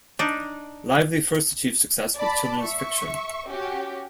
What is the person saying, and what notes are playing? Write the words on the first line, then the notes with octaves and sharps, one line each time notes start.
Lively first achieved success with children's fiction.
D4 D#4
D5 A5 B5
E5 C#6
C#4 F#4 G4